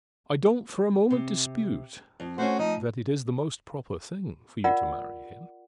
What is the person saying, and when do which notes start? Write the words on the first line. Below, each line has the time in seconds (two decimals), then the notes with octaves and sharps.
I don't for a moment dispute that it is the most proper thing for you to marry him.
1.11 C3
2.20 F2
2.38 A3 C#4 F#4 C5
2.59 F3 D#4
4.64 F4 A#4 D5 F#5